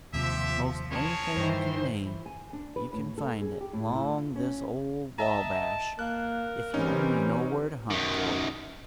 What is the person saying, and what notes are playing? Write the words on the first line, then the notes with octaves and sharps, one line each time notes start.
Most anything you can name, you can find it 'long this ole Wabash, if you only know where to hunt for it.
D#2 C3 F3 G4 E5
F2 G#4 A#4 C#5 A5
G2 D#3 E3 C5
E3
G#5
D4
B4
A2
A4
G#4
G4
A2
E4
F4
C#4
D#5 E5 A5 A#5
A#3 A#4 F#6
E3 G3 C4 C#4 D#4
F#2 D#3